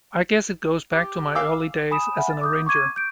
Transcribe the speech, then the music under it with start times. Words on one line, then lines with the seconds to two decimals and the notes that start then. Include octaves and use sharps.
I guess it goes back to my early days as an arranger.
0.93 G4
1.35 F5 D6 E6
1.91 G#5 B5 D#6 E7
2.17 E5 F#5 G#5 B5
2.30 A6
2.41 D6 D#6 G6
2.66 C#6 D6 G#6 D#7
2.96 G6 D7